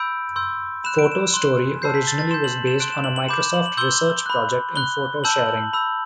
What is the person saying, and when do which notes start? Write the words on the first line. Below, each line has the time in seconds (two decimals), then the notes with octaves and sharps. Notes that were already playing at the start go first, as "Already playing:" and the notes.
Photo Story originally was based on a Microsoft Research project in photo sharing.
Already playing: B5 E6 G6 D7
0.36 C6 E6 G6
0.84 B5 F#6 E7
0.99 D7
1.12 E7
1.34 C6 F#6
1.82 A5 E6 G6 C7
1.95 B6
2.07 A6
2.19 A6
2.31 C6 G6 E7
2.44 F#7
2.67 E7
2.80 C6 F#6 D7
2.92 E7
3.04 F#7
3.16 F#7
3.29 B5 D6 G6 E7
3.41 E7
3.54 F#7
3.66 F#7
3.77 C6 E6 G6 G7
4.26 B5 F#6
4.76 B5 F#6 G7
5.24 A5 E6 G6 F#7
5.73 B5 E6 G6